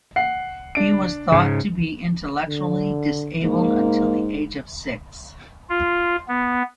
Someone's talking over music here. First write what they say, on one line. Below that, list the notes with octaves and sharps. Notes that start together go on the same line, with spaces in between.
He was thought to be intellectually disabled until the age of six.
F#5 C7
D4 D7
G#2 C#3
D3
G#2 A#3
F4
B3